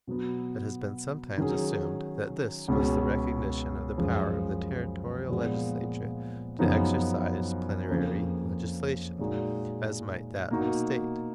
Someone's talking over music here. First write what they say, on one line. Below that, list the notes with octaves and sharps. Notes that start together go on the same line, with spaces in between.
It has been sometimes assumed that this was the recognition of the power of the Territorial Legislature to exercise plenary legislation, as might that of a State.
B2 F#3 B3
D#3 F#3 C#4 G#4
C#2 B2 G#3 C#4
F#2 C#3 F3 G#3
A#2 F3 G#3 B3
F#2 C#3 F3 B3 D#4
F2 C#3 F3 A#3
A#2 G#3 D#4 F#4
B2 A#3 D#4 F#4